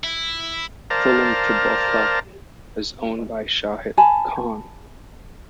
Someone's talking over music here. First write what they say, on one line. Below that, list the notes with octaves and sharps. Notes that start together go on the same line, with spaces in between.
Fulham Football Club is owned by Shahid Khan.
E4
A#4 C5 D5 F5 A5 A#5
G#5 A5 B5